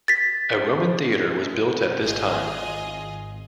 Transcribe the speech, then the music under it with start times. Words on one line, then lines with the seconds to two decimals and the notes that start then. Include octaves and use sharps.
A Roman theatre was built at this time.
0.08 A6 B6
2.02 G#1 F4 G#4 D#5